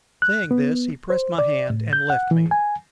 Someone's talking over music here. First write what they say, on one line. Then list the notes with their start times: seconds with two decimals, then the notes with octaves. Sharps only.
Saying this, he pressed my hand and left me.
0.22 F#6
0.51 B3
1.10 C5
1.38 D5
1.70 A2
1.93 G6
2.10 F#5
2.31 E3
2.51 G#5